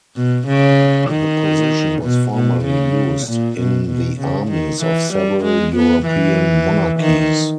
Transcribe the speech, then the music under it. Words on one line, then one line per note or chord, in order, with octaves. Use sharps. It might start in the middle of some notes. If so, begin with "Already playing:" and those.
The position was formerly used in the armies of several European monarchies.
B2
C#3
D#3
B2
B2
C#3
A#2
B2
B2
C#3
D#3
E3
G3
G#3
B3
E3
D#3